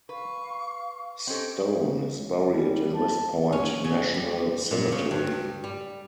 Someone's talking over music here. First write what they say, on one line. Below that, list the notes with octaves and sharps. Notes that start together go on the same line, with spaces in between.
Stone is buried in West Point National Cemetery.
B4 F5 C#6
C4 C#4 G4 A4 C5 D#5
C#3
G3
A5
C#4
C#3
G3
A#2
C#3
G2
G3